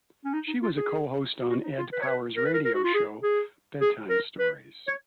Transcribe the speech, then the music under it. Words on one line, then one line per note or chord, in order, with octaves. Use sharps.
She was a co-host on Ed Powers' radio show "Bedtime Stories".
C#4
D#4
D#4
F4
G#4
F#4
D#4
F4
B4
C#5
B4
A#4
B4
A#4
A#4
F#4
F4
G#4
G#4
G#4
A#4
B4
C#5